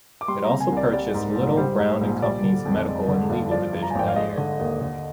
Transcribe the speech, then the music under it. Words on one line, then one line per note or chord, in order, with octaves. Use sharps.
It also purchased Little, Brown and Company's medical and legal division that year.
D6
G3 C6
C3 A#5
G#5
C2
D5
G3 D5
G#2
A#1
G3 C5
G#2
A#1
G3 D5
D3
F2
G#3
D3
G2
F3 D5
G2
A#5
G#5
G#1 G5
F5
G#3 D#5
D3
D#2
D3